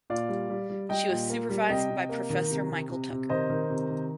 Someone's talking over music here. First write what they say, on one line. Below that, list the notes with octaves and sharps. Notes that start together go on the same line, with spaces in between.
She was supervised by Professor Michael Tucker.
A#2 D5 F5
G3
G3
G3
G3 D#5 G5
A#2
A#3
G3
C3 D#5 G5
C3
A#3
D#3
C3
C3
C3
C3
D#3 C5 D#5
D#3
C3
D#3